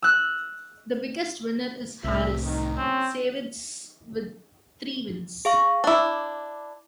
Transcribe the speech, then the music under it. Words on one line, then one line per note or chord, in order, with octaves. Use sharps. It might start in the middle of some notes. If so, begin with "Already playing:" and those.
The biggest winner is Harris Savides with three wins.
E6 F#6
C2 A2 A3 D4 E5
D#3
F#1 C4 C#4
G#4 F5 C#6
D4 E4 D6